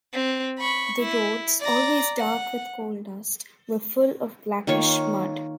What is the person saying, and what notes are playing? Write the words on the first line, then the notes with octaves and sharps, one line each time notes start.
The roads, always dark with coal-dust, were full of blackish mud.
C4
B5 C#6
E4
D5 A#5
F#5
D#3 A#3 F4 C#5